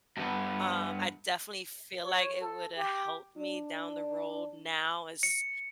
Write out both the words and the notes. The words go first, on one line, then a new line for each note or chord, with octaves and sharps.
um, I definitely feel like it woulda helped me down the road now as,
G2 B3
C#5
A4
G4
D4
C#7